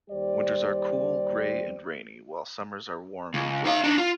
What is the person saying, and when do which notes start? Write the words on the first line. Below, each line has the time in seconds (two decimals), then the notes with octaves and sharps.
Winters are cool, gray and rainy, while summers are warm and dry.
0.10 D#2 G3 G4 C5 D5
3.34 C#2
3.65 D#4 F5
3.84 D4 D#4
3.98 F4